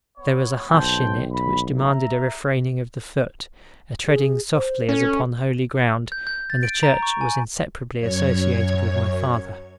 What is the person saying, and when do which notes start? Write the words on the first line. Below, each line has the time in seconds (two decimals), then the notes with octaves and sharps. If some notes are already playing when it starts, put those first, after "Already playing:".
There was a hush in it which demanded a refraining of the foot, a treading softly as upon holy ground; and the church was inseparably associated with my father.
0.18 B3 C#5
0.70 B1 C5 G5 A5
1.32 B5
1.76 E5 A#5
4.07 G#4
4.54 C5
4.89 C#4 A4
6.12 G6
6.27 G6
6.50 A6
6.63 D7
6.83 A#5
7.02 C#6
7.21 G#5
7.99 F#2 C#5 G#6